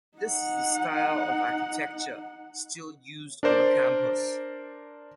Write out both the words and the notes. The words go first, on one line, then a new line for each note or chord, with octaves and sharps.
This is the style of architecture still used on the campus.
D#4 F#5
D4 A#4 C5 D5